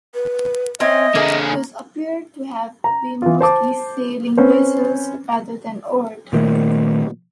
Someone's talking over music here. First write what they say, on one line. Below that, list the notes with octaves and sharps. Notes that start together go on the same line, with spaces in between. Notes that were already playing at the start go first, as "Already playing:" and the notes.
These appear to have been mostly sailing vessels, rather than oared.
B4
C4 C#4 D#5 E5 G#5
D3 A#3 G#4
A#5
E3 F4
C5 A5 D6
C4 C#4 B4 C5
A#2 D#3 A3